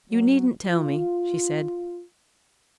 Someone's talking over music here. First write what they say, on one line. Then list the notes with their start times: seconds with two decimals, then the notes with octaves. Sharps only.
"You needn't tell me," she said.
0.11 F#3
0.67 F4